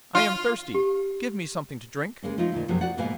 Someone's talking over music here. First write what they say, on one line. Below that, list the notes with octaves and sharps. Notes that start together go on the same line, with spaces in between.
'I am thirsty; give me something to drink.'
F4
G4
C#3 G#3 A#3 C#4
F3 A3 D#4 F4
D2 A#2 D#3
F#2 C3 F3 F#3 A#3
F#4 D5 F#5
G#2 B2 A#3 B3 F5 G#5